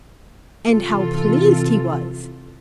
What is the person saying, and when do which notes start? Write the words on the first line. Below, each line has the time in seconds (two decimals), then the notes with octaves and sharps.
And how pleased he was!
0.65 C3 E3 F4 A4